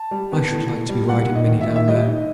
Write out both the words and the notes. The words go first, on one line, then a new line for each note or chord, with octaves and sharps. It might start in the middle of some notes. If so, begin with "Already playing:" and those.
'I should like to be riding Minny down there!
Already playing: A5
G3
B3
A2
A2
G3
G3 F#5
D#4
D#5
D#2
E5
D#3
E5
G3 D#5
D#4